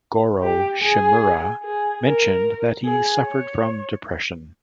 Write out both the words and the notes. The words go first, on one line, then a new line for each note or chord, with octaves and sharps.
Goro Shimura mentioned that he suffered from depression.
G4
G#4
G#4
A#4
G#4
C#5